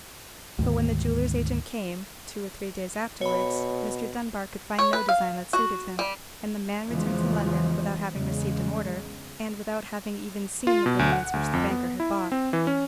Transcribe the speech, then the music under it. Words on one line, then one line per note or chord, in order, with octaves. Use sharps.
But when the jeweller's agent came, two or three days afterwards, Mr. Dunbar could find no design that suited him; and the man returned to London without having received an order, and without having even seen the brilliants which the banker had bought.
D2 G#2 D#3
B2 C#5 B5
C#5
B4
F5
F#4
G3
E2 C#3 E3 F3 G#3
E2 C#3 G#3
F4
B2
D2
F#5
D2
F2
B3
E4
C4
E3
C#4